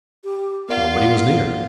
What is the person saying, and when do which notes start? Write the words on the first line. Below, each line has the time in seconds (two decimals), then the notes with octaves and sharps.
Nobody was near.
0.24 G4
0.69 B3 F4 A#4 D5 F5 F#5